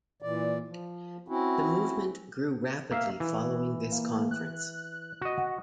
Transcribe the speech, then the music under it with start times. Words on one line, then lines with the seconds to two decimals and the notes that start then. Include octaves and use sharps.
The movement grew rapidly following this conference.
0.22 A#2 E3 D5
0.68 F3
1.28 C4 C#4 E4 F#4
2.91 A#3 E5 F5
3.20 E3
3.92 A#3
4.31 F#6
5.21 F#4 D#5
5.38 F#5